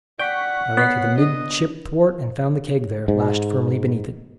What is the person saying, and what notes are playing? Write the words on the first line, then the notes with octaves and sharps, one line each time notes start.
I went to the midship thwart, and found the keg there, lashed firmly beneath it.
D5 F#5 G5 C#6 B6
B3 C#5 B6 C7
D4 D#5
G#2